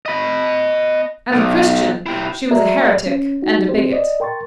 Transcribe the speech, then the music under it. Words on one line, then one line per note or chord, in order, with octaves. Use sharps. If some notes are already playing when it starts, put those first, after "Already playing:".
As a Christian she was a heretic and a bigot.
D#5 B5
B1
E4 G4
F#4 A4 D5 E5 A#5
C#4
D#4 F#4
C4 G4 C5
D5 D#5
A#4 G5 C6 C#6 A6